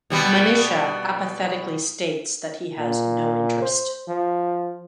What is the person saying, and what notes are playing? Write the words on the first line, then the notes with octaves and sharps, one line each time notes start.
Manisha apathetically states that he has no interest.
B2 G3 B3
A#2
C5
F3